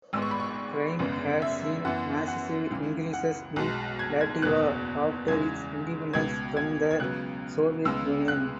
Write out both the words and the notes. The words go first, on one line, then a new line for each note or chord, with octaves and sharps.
Crime had seen massive increases in Latvia after its independence from the Soviet Union.
G#1 G#2 G#3 B3 E6
C#6
B5
C#6
G#1 F#2 C#3 G#3 B3
E5
F#2 E3 B3 F#5
F#5
C#2 C#3 E3
F#5
B1 B2 G#3
G#6
G#6
F#1 E2 B2 B3 F#6
E2 C#3 E3 G#3 G#6
C#2 B2 B3 G#6
G#6
G#6
C#2 C#3 F#3 B3 F#6
C#2 C#3 G#3 B3 E6
F#6